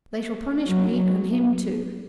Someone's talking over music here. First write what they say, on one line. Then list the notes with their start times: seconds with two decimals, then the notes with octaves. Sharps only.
They shall punish me and him too.
0.66 F#3